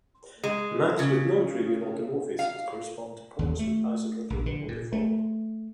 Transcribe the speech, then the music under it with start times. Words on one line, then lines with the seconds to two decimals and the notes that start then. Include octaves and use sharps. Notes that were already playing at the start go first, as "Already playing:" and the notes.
Maps with nontrivial automorphisms correspond to points with isotropy in the orbifold.
0.43 G#3
0.99 C#3
2.39 F5
3.39 D#2
3.59 A3
4.30 A#1
4.46 D3
4.68 A#2
4.93 A3